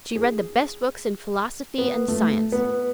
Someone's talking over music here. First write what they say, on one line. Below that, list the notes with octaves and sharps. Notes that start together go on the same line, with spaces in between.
She read the best books in philosophy and science.
G#4
B3
A3
B3